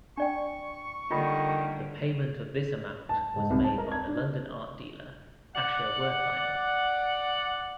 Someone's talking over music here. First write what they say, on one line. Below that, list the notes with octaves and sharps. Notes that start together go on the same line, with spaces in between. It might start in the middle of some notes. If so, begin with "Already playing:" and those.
The payment of this amount was made by the London art dealer Asher Wertheimer.
D4 D5 G5 C#6
D3 D#3 G3 A#3 F4
A5
G#2
C2
A5
A#4
G#6
D4
D5 F#5